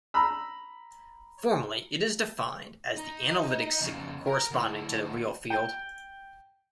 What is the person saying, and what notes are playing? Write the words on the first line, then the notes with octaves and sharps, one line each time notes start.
Formally, it is defined as the analytic signal corresponding to the real field.
A#5 B5 E6
D#4
F2 C#3
A#4 A#5
D2 E4
G5